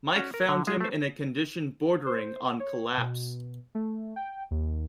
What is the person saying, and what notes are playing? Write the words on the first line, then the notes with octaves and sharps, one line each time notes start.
Mike found him in a condition bordering on collapse.
C#4 F#4
A#4
D3
G#3 D#4 F4 G#4
A3 C5
C5
C#5
B2
A3
G5
D#2